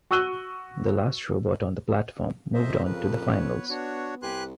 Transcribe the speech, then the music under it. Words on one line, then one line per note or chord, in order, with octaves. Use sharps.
The last robot on the platform moved on to the finals.
F#4 C#6 E6 F#6 D#7 G7
F2 A#3 C5 D#5 E5
C#3 F3 A#4 B4
B3 C#5
D4 F#4 C#5
C2 G4 B4 G#5 C6 F#6